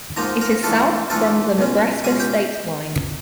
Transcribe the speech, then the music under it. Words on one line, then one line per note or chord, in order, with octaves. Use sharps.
It is south from the Nebraska state line.
G#2 F3 A#3 D#4 A#5
A#4 A#5
G#2 E3 A3 D4 F4 A4 A5
G#2 E3 A3 D4 F4 A4 A5
C#2 B2 G#3 C#4
C#2 B2 G#3 C#4 G#4 G#5
G4 G5